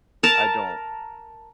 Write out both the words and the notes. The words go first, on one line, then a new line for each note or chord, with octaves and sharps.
I don't
A#4 A5